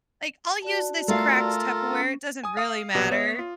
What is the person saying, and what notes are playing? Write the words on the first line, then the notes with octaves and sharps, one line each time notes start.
Like, “I'll use this cracked Tupperware. It doesn't really matter.”
F#4 D5 A5
A3 F4 A4 A#4 F5
C#4
G#5 D#6
F5 D#6
A#1 B2 G4 B4 D5 A#5
B3 C#5 E5
F4